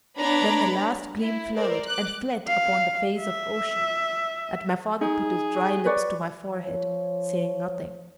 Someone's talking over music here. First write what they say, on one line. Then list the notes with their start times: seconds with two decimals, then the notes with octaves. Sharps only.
Then the last gleam flowed and fled upon the face of ocean, and my father put his dry lips to my forehead, saying nothing.
0.18 B3 D4 C#5 A#5 B5 A6
1.21 E4
1.56 A#4 C5 D5
1.87 D6 F#6
2.47 F5
3.19 E5
5.01 D#4 G#4
5.86 B4 C#5 D5
6.53 F3 C#5